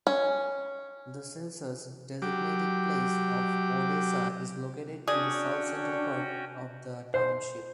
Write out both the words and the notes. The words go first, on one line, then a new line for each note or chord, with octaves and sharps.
The census-designated place of Odessa is located in the south-central part of the township.
C#4
F#3 G4 D6
C#4 D4 F#4 G#4 D5 G5
C5